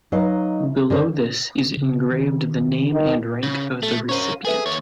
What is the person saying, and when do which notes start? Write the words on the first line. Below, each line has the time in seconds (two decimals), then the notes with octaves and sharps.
Below this is engraved the name and rank of the recipient.
0.12 F#3 D#4 B4 D#5 F5
0.90 D3 A#4 C5
1.77 C#3
2.11 D#3
2.94 D#3
3.43 C#3
3.83 A3 A4
4.09 C#4 A#4 C5 C#5 D#7
4.45 G#4 A4 B4 E5
4.66 D#2 C#5